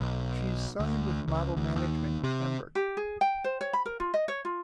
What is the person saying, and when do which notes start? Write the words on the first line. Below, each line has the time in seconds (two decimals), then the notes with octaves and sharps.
She's signed with Model Management in Hamburg.
0.01 B1
0.80 D2
1.28 C#2
1.57 D2
1.76 D#2
2.24 C3
2.75 G4
2.97 G#4
3.21 G5
3.44 C5
3.61 C#5
3.73 B5
3.86 A#4
4.00 F4
4.14 D#5
4.28 C#5
4.45 F4